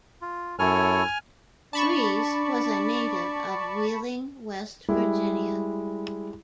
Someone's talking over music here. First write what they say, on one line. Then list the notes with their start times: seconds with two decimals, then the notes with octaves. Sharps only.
Freese was a native of Wheeling, West Virginia.
0.22 F4
0.59 F#2 E4 A4 C#5 G#5 F6
1.73 D4 D5 A5 B5 C#6
4.88 G3 G#3 E4